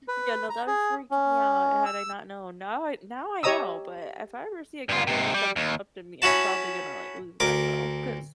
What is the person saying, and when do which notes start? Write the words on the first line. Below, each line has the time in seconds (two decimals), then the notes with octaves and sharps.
Yeah, no, that would freak me out had I not known. Now I Now I know, but if I ever see a coyote come t up to me, I'm probably gonna, like, lose myself 'cause
0.08 B4
0.50 A#5
0.67 G#4
1.11 C#4
1.86 E6
3.43 G4 C#5 D#5 A#5 D#6 E6
4.89 G2 F4
5.07 G#2 C3
5.34 G3
5.56 D#2
6.22 C#4 E4 F#4 A5
7.40 D2 A#4 D6